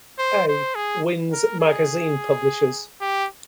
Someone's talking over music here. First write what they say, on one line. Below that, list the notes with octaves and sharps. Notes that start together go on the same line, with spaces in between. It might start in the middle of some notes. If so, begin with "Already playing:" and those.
A. Wyn's Magazine Publishers.
C5
C5
G#4
A#4
G#4
G4